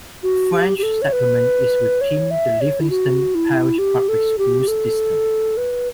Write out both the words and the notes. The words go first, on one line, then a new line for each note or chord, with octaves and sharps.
French Settlement is within the Livingston Parish Public Schools system.
F#4
G4
G4
A4
C#5
B4
C#5
E5
C#5
E4
F#4
E4
G4
A4
G4
A4
B4